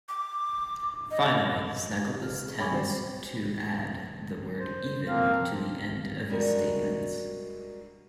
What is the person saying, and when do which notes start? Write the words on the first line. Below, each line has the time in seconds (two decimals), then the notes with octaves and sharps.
Finally, Snagglepuss tends to add the word "even" to the end of his statements.
0.09 D6
1.11 D#5
2.01 G4
2.20 F4 F6
2.45 C#3
2.59 C#5 G5 G#5 B5 C#6 D6
2.72 F#3 G3 C4 C5 G5
4.59 C5
5.07 F3 A#3 C4 F5
6.30 G3 G#3 D4 F#4 A#4 D#5